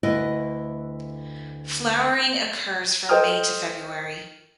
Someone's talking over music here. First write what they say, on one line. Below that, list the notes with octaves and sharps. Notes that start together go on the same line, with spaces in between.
Flowering occurs from May to February.
D2 E4 B4 D#5
A4 C5 D#5 G5 D#6 F6